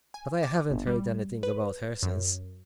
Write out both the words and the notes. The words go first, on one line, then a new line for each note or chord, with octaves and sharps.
But I haven't heard anything about her since.
G#5
D6
G1
G3
B4
F#2